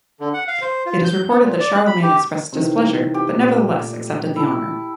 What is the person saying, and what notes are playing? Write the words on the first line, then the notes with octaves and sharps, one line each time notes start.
It is reported that Charlemagne expressed displeasure but nevertheless accepted the honour.
D3
F#5
F5
C5
F4
G6
B3
A#2
D5
F#6
B5
G4
C3 D#3 E3
G4
A#2 A3
E4 A5